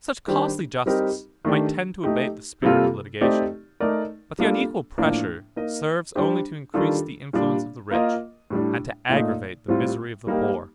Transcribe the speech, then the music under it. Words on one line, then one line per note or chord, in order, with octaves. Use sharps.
Such costly justice might tend to abate the spirit of litigation, but the unequal pressure serves only to increase the influence of the rich, and to aggravate the misery of the poor.
D#3 G3 D4 G4 C5
G3 C4 D#4 G4 A#4
D#3 A3 D4 G4
A3 D#4 G4
C3 G3 A#3 F4 A4
A3 C4 D#4 G4 D5
A3 D#4 A#4 D5
G3 A#3 D4 F4 A4
A2 F3 A#3 D4
A#3 D#4 A#4 D#5
G3 D4 G4 C5
D#3 G3 D4 F4 A4
A#2 G3 D4
A#3 F4 A#4 D#5
A2 G3 D4
A#2 A3 D#4
A2 G3 C4 F4
G3 A#3 D#4 G4 A#4